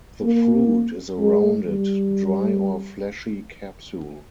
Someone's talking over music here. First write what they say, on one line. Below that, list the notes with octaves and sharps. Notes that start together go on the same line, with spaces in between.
The fruit is a rounded, dry or fleshy capsule.
A#3
G#3
G3